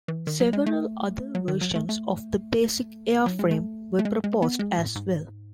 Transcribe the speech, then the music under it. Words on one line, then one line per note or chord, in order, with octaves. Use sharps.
Several other versions of the basic airframe were proposed as well.
E3
D#3
F#3
G#3
A3
F#3
D#3
F#3
A3
A3
F#3
G#3
A3
A3
G#3
G#3
B3
G#3
A2
G#2